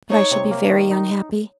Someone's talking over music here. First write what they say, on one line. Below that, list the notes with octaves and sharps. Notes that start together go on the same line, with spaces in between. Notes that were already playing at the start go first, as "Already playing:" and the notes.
But I shall be very unhappy.
D#4 C#5
C3
A#3
D#3
D#4